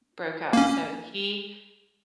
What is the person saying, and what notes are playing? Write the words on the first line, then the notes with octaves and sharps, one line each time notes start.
broke up, so, he
A#3 C#4